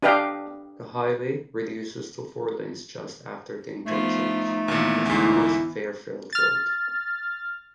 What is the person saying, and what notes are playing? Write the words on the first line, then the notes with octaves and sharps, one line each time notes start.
The highway reduces to four lanes just after the interchange with North Fairfield Road.
D4 G4 B4 D#5 F5 G5
F3 A3 B3 D#4
D#2 A#2 E3 B3
D2 G#2 E4
F6 A6